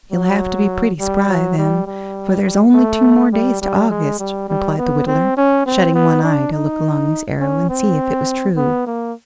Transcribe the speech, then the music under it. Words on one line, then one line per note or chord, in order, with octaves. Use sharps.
"You'll have to be pretty spry, then, for there's only two more days to August," replied the whittler, shutting one eye to look along his arrow and see if it was true.
F#3
G3
F#3
G3
G3
A3
G3
G3
G#3
G3
G3
B3
C4
C#4
C4
B3
D4
D#4
C#4
C4
B3
A#3